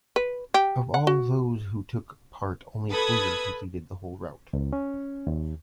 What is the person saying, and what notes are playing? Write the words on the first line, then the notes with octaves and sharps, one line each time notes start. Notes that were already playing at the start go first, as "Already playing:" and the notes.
Of all those who took part only Twigger completed the whole route.
B4
G4
F#5
F#4
A4 B4 B5 D#6 G#6
C#2
C#4
D#2